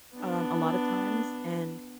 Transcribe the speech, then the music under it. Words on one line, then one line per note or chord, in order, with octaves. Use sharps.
um, a lotta times. And
B3 D4